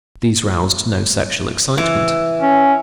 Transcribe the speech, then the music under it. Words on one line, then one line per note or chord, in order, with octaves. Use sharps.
These roused no sexual excitement.
E3
C#4